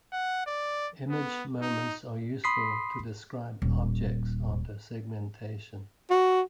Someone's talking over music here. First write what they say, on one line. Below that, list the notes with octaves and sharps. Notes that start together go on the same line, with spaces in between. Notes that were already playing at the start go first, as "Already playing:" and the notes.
Image moments are useful to describe objects after segmentation.
F#5
D5
B3
D#4
B5 C6 D#6 B6 C7
D#1
F#4